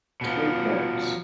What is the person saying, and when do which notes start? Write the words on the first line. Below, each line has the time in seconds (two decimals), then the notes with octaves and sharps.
Take notes.
0.21 B2 F3